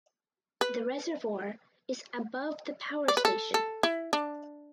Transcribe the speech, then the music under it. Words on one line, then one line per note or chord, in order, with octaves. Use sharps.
The reservoir is above the power station.
B4
D5
B4
A4
A4
E4
D4